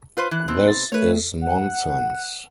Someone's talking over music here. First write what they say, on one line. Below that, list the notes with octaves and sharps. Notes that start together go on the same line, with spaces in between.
This is nonsense.
F4 B4 C5
E3 F#6
B2 C4
A6
A3 B4 C#5
F#5